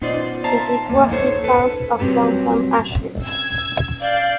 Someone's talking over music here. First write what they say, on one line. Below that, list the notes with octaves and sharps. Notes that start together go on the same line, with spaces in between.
It is roughly south of downtown Asheville.
B3 D#4 F4 C5 D5 D#5
C5 E5 F5 A5 A#5
A#3
D#4 A4 C5 C#5
A4 B4
F#3 G3 C4 G4 A4 B4
E6 G#6
D5 F5 G6